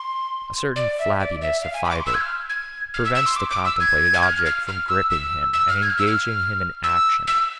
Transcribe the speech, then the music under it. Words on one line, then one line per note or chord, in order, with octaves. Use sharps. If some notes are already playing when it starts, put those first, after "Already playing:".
A certain flabbiness of fiber prevents the contemplated object from gripping him and engaging him in action.
Already playing: C6
D5
E5
D5
E5
F5
G#5
B5
D6
C6
E6
G#6
F6
G#6
F6
E6
E6
C6
D6
D6
E6
G#6
G#6
F6
F6
F6
E6
E6
E6
F6
G#6
F6
E6
F6
E6
E6